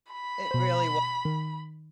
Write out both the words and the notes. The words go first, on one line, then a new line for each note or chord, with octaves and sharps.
It really was.
B5
B2 C5
D#3